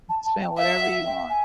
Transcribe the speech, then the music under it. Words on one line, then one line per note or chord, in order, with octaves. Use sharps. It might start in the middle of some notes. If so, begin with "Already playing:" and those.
Spend whatever you want.
A5
A5
G5
E5 F5
F#5
G5
G#5